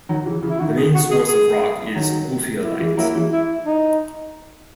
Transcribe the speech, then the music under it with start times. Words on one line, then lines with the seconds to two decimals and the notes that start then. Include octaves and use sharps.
The main source of rock is ophiolite.
0.09 D#3 F#3
0.26 C#3 E3
0.42 C#3 E3
0.50 E4
0.59 D#3 F#4
0.77 G#4
0.95 F#4
1.11 G#4
1.28 G#4
1.95 D#3 F#3
2.63 E4
2.80 E3 G#3
2.97 F#3 A#3 E4
3.14 E3 G#3
3.32 E4
3.66 D#4